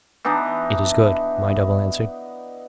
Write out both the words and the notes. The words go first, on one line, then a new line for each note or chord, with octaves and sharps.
"It is good," my double answered.
E3 B3 D4 D#4